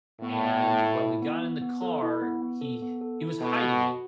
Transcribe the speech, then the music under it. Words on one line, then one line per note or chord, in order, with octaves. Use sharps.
and when we got in the car, he he was hiding it,
A2 B3
B3
E4
E4
E4
B3
B3
B3
A4
E4
B3
B3
A4
B3
A4
E4
B2 A4
F#4
F#4